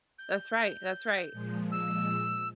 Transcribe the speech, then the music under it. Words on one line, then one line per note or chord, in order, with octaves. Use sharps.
That's right, that's right.
G6
A#2 F3 G#3
E6